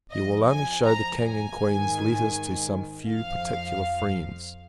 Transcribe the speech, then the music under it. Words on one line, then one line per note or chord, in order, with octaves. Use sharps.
You will only shew the King and Queen's letters to some few particular friends.
F2 F3 D#5
G#5
A#5
G#5
G#2 D#3
F2 F3 F5